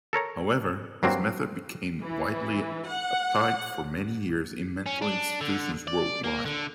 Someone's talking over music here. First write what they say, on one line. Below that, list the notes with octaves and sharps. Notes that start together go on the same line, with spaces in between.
However, his method became widely applied for many years in mental institutions worldwide.
A4 A#4 C#5 A#5
G2 F#3 A#3 C4
E3
F#5
C#4
D4
D3
D5
A#3
D3